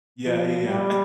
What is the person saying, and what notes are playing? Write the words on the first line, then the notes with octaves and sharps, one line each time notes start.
Yeah, yeah,
F3
G3